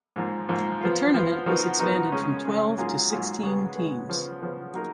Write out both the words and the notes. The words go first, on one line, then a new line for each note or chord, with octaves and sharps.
The tournament was expanded from twelve to sixteen teams.
G#2 F3 A#3
G#2 F3 A#3
F3 B3 F4
F3 B3 F4
F3 B3 D#4 F#4 A#4
F3 B3 D#4 F#4 A#4
C#3 G#3 C#4
C#3 G#3 C#4
G#2 F#3 A#3 F4 G#4
G#2 F#3 A#3 F4 G#4
C#3 G#3 B3
C#3 G#3 B3
C#3 F3 B3
C#3 F3 B3
F#3 A#3 D#4 A#4